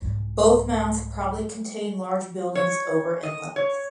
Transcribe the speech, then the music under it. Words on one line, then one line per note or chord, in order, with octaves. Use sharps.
Both mounds probably contain large buildings over in length.
C2 G#2
C#5
D#5
C#5